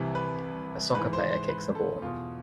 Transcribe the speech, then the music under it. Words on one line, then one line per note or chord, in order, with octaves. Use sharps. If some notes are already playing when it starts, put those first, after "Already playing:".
A soccer player kicks a ball.
Already playing: C2 C3 E3
B4
G#2 E3 B4
C5
C5
B4
A4
E2 B2 F4